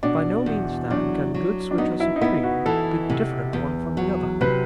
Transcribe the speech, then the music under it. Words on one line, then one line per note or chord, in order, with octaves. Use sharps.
By no means, then, can goods which are supreme be different one from the other.
B2 D4
E2
F#3 D4
F#3
D4
B3 D#4
E4
D#4
B3 E4
F#4
E3 A4
C3
E2
F#3
C3 B4